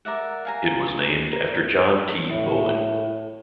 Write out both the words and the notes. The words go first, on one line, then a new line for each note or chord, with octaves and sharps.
It was named after John T. Bowen.
A#4 D5 E5 F#5
F5 G#5 A#5
A#4
A2